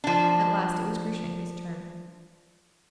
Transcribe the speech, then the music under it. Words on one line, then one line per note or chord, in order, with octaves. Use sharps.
At last it was Grushenka's turn.
F3 D4